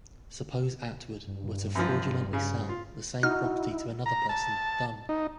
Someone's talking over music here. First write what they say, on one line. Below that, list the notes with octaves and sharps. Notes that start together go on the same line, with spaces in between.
Suppose Atwood were to fraudulently sell the same property to another person, Dunn.
G2
F#2 F3
C#3
F4
D#4 E4 F#4 F6
A#5
A5
D#4